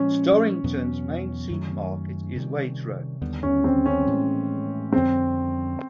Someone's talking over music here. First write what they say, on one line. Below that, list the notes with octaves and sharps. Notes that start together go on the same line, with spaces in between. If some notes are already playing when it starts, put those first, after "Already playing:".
Storrington's main supermarket is Waitrose.
Already playing: A#2 F3 G#3 C#4
E2 B2 F#3 B3
F#2 D#3 F#3 A3
C3 D#3 G3
D#2 D3 G3 B3
C#4
C4
C#4
A2 E3 G#3
F2 D3 G3 C4